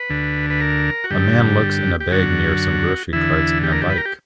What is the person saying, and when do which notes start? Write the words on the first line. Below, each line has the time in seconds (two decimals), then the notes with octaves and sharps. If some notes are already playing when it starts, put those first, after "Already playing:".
A man looks in a bag near some grocery carts and a bike.
Already playing: B4
0.10 D2 D3
0.50 B4
0.60 A#4
1.04 F#4
1.10 G2 D3 G4
2.00 G4
2.12 F#2 D3 F#4
3.13 E2 D3 E4
3.63 G4
3.72 A#4
3.82 G4
3.90 B4
3.97 A#4
4.05 G4